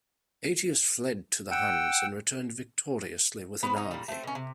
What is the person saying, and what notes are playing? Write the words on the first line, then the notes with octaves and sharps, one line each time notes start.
Aetius fled to the Huns and returned victoriously with an army.
F#5 G5 E6
B3 C4 B4
C3 D#4 A#5
A#2 G3
A3 C4
B2 C#4
C3